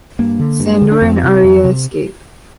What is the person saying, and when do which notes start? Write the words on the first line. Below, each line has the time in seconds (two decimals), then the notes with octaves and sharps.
Sandor and Arya escape.
0.19 G2 A#3
0.40 D3
0.60 G2
0.82 D3
0.92 D4
1.02 F2 C4
1.23 C3
1.44 F2
1.64 C3